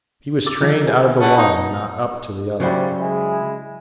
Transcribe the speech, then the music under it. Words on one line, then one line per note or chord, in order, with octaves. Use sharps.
He was trained out of the one and not up to the other.
D6 E6 A6
D#3 F3 D#4
G#4 B4
C#4 F#5 A5
D#4
A#1 A2 C#3 F#3 G3 C5
G#3 E4 G#4